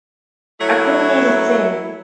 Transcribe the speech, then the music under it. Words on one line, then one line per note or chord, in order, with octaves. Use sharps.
I couldn't eat a thing.
F#3 A3 E4